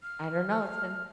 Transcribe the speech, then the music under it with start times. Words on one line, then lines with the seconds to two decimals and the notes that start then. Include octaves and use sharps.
I don't know, it's been
0.03 F6